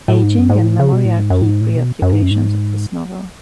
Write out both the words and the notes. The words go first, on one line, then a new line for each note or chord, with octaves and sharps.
Ageing and memory are key preoccupations of this novel.
A2
G#2
F#2
G#2
A2
C#3
B2
A2
G#2
F#2
A2
G#2
A2
B2
F#2
G#2
F#2
G#2